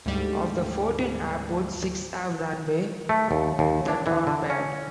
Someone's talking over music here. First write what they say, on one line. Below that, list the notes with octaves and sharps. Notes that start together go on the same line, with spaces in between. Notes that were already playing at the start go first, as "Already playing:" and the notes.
Of the fourteen airports, six have runways that are paved.
D2 G#2 G3
A3
D#2
D#2
D4
E3
D3
C#4